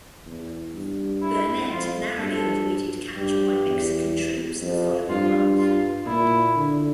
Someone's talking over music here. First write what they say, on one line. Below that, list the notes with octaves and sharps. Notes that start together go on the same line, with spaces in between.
Burnet narrowly avoided capture by Mexican troops the following month.
E2
G2
E4
F2 F4
G2 A4
G2 G4
E2
F2
G2 F4
F4
A#2 E4
D3